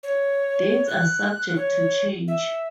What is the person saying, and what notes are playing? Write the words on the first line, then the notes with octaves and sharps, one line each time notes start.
Dates are subject to change.
C#5
F#6
C#5
E5